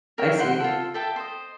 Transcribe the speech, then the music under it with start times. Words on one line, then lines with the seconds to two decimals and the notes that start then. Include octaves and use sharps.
I see.
0.18 A#4 C#5 E5 G5
0.39 C5 F#5 B5 C6
0.60 F4 A4
0.94 A4 E5 G5 A5
1.16 C5 D#5